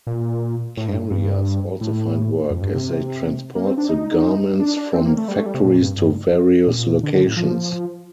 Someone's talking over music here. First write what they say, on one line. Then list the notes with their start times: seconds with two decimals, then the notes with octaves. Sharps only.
Carriers also find work as they transport the garments from factories to various locations.
0.07 A#2
0.77 A2
0.88 G2
1.11 G2
1.81 A2
2.50 F2
2.62 G2
2.74 C3
3.55 A#3
3.66 C4
3.78 D4
3.89 D#4
4.60 D4
4.77 D4
4.93 C4
5.05 A#3
5.17 A3
5.28 G3
5.38 A3
5.46 G3
5.54 C3
5.64 A#2
5.80 G2
5.98 G2
6.67 A#2
7.03 D3
7.14 D3
7.26 A2
7.37 F3